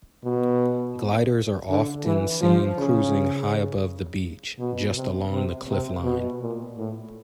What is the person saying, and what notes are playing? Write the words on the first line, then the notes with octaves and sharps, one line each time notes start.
Gliders are often seen cruising high above the beach, just along the cliff line.
B2
D3
E3
F3
C#3
B2
C3
C3
C3
B2
A#2
A2